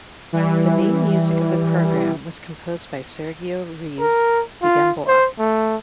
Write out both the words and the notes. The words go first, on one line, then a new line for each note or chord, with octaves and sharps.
The main music of the program was composed by Sergio Ruiz de Gamboa.
E3 G3
A#4
F4
C5
A3